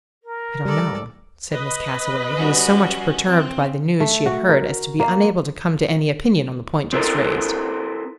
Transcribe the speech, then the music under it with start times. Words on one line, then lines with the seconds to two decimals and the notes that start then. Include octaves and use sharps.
"I don't know," said Miss Cassewary, who was so much perturbed by the news she had heard as to be unable to come to any opinion on the point just raised.
0.23 A#4
0.65 G3 A4 D5
1.51 B4 D#5 B5
2.35 G3 C#4 F#4
3.25 C4
4.00 A3
4.26 F#4
4.49 A#4
5.00 A#3
6.93 C4 E4 A4 A#4